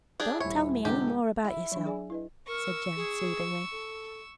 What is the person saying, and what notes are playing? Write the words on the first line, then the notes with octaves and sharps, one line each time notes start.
"Don't tell me any more about yoursel," said Jem, soothingly.
D4 G4 G#4
D#1 E4 C#5
E1 E2 D3 G4
E4
F#3 D4
G#4 D5 G#5
E4 B4 D#5
A#4 C#6 E6
G#4
A4